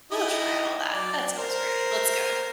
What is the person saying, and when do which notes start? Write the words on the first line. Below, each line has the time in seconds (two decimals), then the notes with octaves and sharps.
we'll try all that, that sounds great, let's go."
0.11 D#4 E4 D#5
0.93 F#3 D5
1.38 A#4 C5